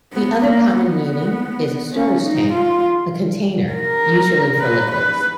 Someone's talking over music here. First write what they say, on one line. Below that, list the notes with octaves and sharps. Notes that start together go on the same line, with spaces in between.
The other common meaning is a storage tank, a container, usually for liquids.
B3
A#3
B3
C#4
D#4
F4
A#4
B4
B4